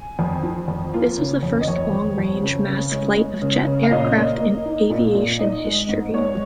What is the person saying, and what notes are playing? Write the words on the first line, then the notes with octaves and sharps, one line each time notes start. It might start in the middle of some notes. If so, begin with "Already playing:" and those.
This was the first long-range mass flight of jet aircraft in aviation history.
Already playing: G#5
F2
F3
F2
A#3 F4
C#3
F2
D#5
F2 C#5
F2
F2
C#3
C#3
G#3
G#3
C#3
C#3
F5
A#2 D#5
A#3
A#3
D#4
A#2
A#2
D#4 D#5
G#3
G#2
G#3 C#5